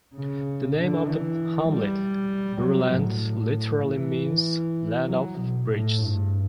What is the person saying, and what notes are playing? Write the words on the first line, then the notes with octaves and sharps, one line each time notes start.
The name of the hamlet, "Bruland" literally means "land of bridges".
C#3
D3
E3
G3
F#3
A2
E3
F#3
B2
A2
G2